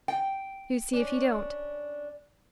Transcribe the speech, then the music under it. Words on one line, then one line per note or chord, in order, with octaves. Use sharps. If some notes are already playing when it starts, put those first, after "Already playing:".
You see if he don't!
G5
C#4 D4